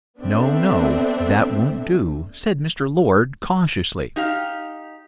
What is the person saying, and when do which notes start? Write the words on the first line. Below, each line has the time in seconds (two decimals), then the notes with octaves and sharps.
"No, no, that won't do," said Mr. Lord, cautiously.
0.19 B3 C4 D4 A4 C5 E5
4.16 D#4 G4 F5